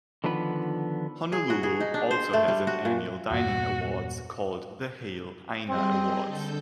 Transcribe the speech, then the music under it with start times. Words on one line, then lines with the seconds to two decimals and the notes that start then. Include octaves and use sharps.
"Honolulu" also has an annual dining awards called the Hale Aina Awards.
0.24 D3 D#3 F3 B3 B4
1.32 G#4
1.50 F#4
1.63 G#4
1.80 D#4
1.94 D4
2.11 C5
2.33 A3
2.48 G3
2.67 F#4
2.85 A#2
3.30 E2 G2 A#2 F#4
5.69 G3 C4 G#4 D#5
6.27 D3 A4 G6